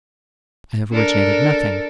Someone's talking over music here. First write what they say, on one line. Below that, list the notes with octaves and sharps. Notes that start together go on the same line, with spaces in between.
I have originated nothing.
D4 A4 A#4